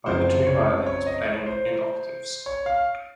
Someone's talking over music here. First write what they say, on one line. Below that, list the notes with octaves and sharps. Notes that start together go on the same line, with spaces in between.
By the two violins playing in octaves.
F#1 F#2 F3 C4 F#4 C5
C#5
C#5
D#5
C#5
C5
C#5
F5